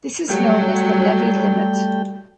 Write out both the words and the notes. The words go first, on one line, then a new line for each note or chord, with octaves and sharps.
This is known as the levy limit.
F#3 G3 A3 G4 G5